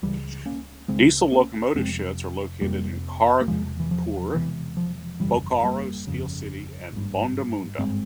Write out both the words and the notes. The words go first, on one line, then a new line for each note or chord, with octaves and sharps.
Diesel locomotive sheds are located in Kharagpur, Bokaro Steel City, and Bondamunda.
C#2 C#3 E3 G3
A#3 C#4
C#2 C#3 G#3 C4
A#3 C#4
F1 F2 C3 G#3 C4
F1 F2 C3 G3 A#3
A#3
E1 E2 C3 F3 G#3
E3
F3
E1 E2 C3 E3
F3
G1 F2 C#3 E3 G3
G3 A#3
G1 F2 C#3
G#1 G2
G#1 G2 G#3 C4